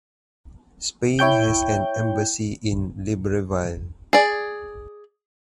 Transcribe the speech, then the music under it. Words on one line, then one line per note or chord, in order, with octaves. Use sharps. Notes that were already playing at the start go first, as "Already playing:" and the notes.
Spain has an embassy in Libreville.
E4 C#5 G5 G6
G#4 D5